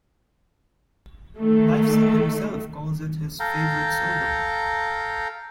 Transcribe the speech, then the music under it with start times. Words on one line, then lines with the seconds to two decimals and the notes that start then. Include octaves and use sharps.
Lifeson himself calls it his favorite solo.
1.39 D#3 A3
3.40 A4 F5 G5 A#5